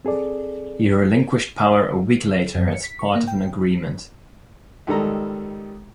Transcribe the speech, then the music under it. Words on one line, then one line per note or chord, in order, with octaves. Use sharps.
He relinquished power a week later as part of an agreement.
C4 G#4 A4 D5
F#2
C#7
B6
C#6
A#3
G5
C#2 D#3 G3 A4 A#5